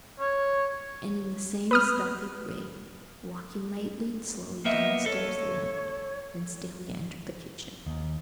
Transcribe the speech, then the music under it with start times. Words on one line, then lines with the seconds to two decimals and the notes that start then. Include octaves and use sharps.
And in the same stealthy way, walking lightly and slowly, down the stairs they went, and Stanley entered the kitchen.
0.20 C#5
1.71 B4 D#6 F6
4.65 A#3 B3 D#5 E5
5.06 A4 C#5
7.86 D#2